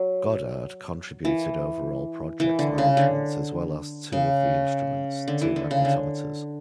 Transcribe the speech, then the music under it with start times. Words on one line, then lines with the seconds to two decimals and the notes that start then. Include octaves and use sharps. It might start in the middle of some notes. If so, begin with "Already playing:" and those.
Goddard contributed overall project management as well as two of the instruments, two magnetometers.
Already playing: F#3
1.25 E3
2.40 E3
2.59 D3
2.78 C#3
2.97 D3
4.12 C#3
5.28 D3
5.42 E3
5.56 D3
5.71 C#3
5.85 D3